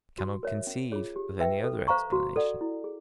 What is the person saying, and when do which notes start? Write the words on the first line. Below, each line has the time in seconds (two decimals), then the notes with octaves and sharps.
I cannot conceive of any other explanation.
0.18 F#4
0.43 A#4 C#5 E5
0.67 C#4
0.92 F4 G#4 C#5
1.16 G4
1.40 B4 E5 G5
1.64 A4
1.88 C5 F5 A#5 C#6
2.12 F#4
2.36 A4 D5 F#5
2.61 E4
2.84 G#4